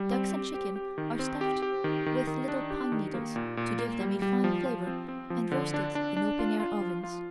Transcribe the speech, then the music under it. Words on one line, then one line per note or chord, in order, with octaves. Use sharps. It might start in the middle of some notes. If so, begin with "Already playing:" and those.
Ducks and chickens are stuffed with little pine needles to give them a fine flavor and roasted in open air ovens.
Already playing: G3
C4
G4
G4
G4
D#3
C4
G4
G4
D#3
D#3
D#3
D4
G4
D#3
A#3
A#2
A#2
A#3
G3
G3
F3
F3
C4
C4
F3
D3
D4
D4
D4
F4
F4
F3
F4